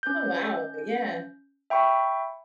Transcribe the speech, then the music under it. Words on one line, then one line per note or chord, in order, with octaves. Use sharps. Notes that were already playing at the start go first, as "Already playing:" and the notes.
Oh, wow. Yeah.
C#4 G6
E5 G5 B5 C#6